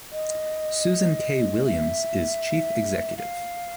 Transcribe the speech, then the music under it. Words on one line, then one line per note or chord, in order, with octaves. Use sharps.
Susan Kay-Williams is Chief Executive.
D#5
E5
F5